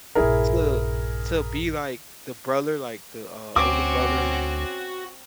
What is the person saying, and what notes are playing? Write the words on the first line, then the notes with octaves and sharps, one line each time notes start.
to to be, like, the brother, like, the, uh, older brother
A#1 G2 E4 G#4 A#4
D2 C4 C#4 F#4 D6